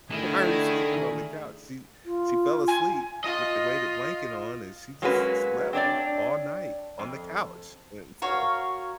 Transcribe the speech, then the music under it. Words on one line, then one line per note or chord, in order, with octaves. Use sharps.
why are you sleeping on the couch?" She she fell asleep with the weighted blanket on and she just slept all night on the couch and so
D3 D#3 A3 E4 G#4
F4
G#5
F4 D#5
F#3 G#3 A#3 C#4 F#4 B4
C4 D4 C#5 D5
F2
F#4 A#4 C#5 F5